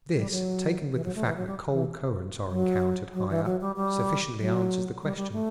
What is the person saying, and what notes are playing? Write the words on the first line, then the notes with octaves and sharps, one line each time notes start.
This, taken with the fact that cold currents are encountered high up, sufficiently answers the question.
G3
F#3
E3
F#3
A3
E3
F#3
G3
E3
F#3
F#3
E3
F#3
G3
G3
F#3
G3
G3
A3